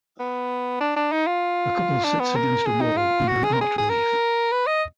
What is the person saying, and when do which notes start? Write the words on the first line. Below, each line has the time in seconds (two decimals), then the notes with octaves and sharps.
A couple sits against a wall, under an art relief.
0.20 B3
0.80 D4
0.96 D4
1.12 D#4
1.27 F4
2.04 D4
2.20 B3
2.36 A#4
2.66 G#4
2.81 D#4
2.97 F4
3.28 F#4
3.43 G#4
3.53 A#4
3.61 G#4
3.78 G#4
3.89 A#4
4.52 B4
4.67 D#5